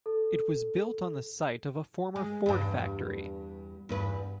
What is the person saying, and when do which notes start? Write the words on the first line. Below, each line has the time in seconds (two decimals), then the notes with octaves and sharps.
It was built on the site of a former Ford factory.
0.06 A4
2.16 G#3
2.46 E2 G2
3.89 E2 G2 B4